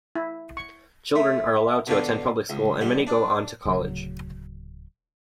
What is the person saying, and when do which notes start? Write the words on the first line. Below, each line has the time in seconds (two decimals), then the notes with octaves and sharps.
Children are allowed to attend public school and many go on to college.
0.15 E4
0.57 C#6
1.15 A3
1.87 B2 D3 D4 F4
2.50 C#2
2.81 A#1 G3 F#5
3.07 D4
3.65 D1 C#3 F#3